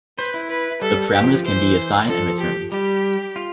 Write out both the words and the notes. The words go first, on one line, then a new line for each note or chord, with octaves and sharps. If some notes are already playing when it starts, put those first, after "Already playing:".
The parameters can be assigned and returned.
B4 C5
E4
B4
G3 A4
G4
F3
F3
E3 C5
F3 A4
G4
G3 G4
F4